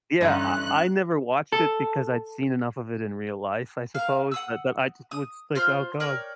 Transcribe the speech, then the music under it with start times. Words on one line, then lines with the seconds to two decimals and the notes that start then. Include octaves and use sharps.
Yeah. I I never watched it because I'd seen enough of it in real life, I suppose. But but I just would s like, "Oh god."
0.21 G2 D3 E3 C#4 D#4 D#5 F#6
1.52 A4
3.95 A#4 F5
4.31 F#5 D#6 E6
5.11 D#6
5.55 F4 C5 F6
6.00 A#4 C#5 D5 G5